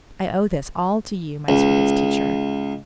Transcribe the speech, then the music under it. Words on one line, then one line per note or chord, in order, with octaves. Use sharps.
I owe this all to you, my sweetest teacher.
C#2